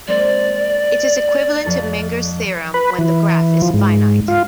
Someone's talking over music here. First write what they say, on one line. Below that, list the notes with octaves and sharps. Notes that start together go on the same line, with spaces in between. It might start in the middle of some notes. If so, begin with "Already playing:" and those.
It is equivalent to Menger's theorem when the graph is finite.
G#3 A#3 C4 D5
F2 A4 A6
B4
E3
F3
G#2
F4